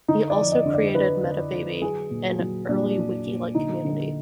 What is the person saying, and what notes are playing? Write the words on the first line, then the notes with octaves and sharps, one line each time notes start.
He also created Metababy, an early wiki-like community.
D3 D#4
D5
F3
D#5
D3
D5
D3 B4
D3
D3
F#3 G#4
A#2
F#3
A#2 D4
F#3
A#2
D3 D#4
D3